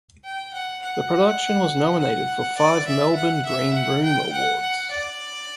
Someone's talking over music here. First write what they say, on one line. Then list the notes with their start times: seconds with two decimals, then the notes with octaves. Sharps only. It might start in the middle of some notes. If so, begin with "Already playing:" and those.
The production was nominated for five Melbourne Green Room Awards.
0.25 G5
0.54 F#5
0.82 F#5
2.00 F#5
2.57 D5
2.87 E5
3.15 F#5
3.45 E5
3.74 F#5
4.03 G5
4.32 F#5
4.61 F#5
4.91 D5